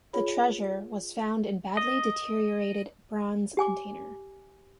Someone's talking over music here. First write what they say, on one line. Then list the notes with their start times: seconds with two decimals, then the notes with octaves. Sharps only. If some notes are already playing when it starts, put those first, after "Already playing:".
The treasure was found in badly deteriorated bronze container.
0.13 F4 G#4 C#5 B5
1.77 D#5
3.57 G4 G#5 D6